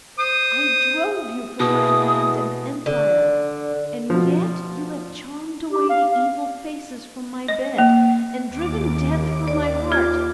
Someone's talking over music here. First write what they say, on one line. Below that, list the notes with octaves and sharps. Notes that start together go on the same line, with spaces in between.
I drove you from my land and empire, and yet you have charmed away the evil faces from my bed, and driven Death from my heart!
C5 D#6
B2 B3 E4 G#4 D#6
D3
B2 F3
G4
F5
F5
D#5
A#3
D#2 D6
D5
F4 G#6